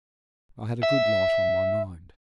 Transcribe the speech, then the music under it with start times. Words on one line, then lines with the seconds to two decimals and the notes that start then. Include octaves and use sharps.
I had a good lot on my mind.
0.83 E5